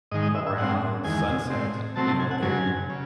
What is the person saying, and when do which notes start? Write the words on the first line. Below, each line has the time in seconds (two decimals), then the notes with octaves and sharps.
around sunset, you know, they're,
0.12 G#2 D#3 G#3 D#5
0.23 D#5
0.35 E5
0.47 E5
0.57 A2 G#3 C4 F#5
1.04 E2 D#3 G#3 G#5
1.50 A2 G#3 C4
1.96 C3 F#3 A3 C4 A5
2.08 A5
2.20 G#5
2.31 F#5
2.42 F#2 C#3 F#3 G#5
2.90 C#3